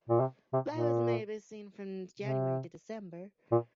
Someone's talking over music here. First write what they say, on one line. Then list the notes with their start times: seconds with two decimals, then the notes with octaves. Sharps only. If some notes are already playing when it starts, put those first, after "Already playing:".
Flowers may be seen from January to December.
0.09 A#2
0.20 C3
0.53 C3
0.70 A#2
2.20 C3
3.52 A#2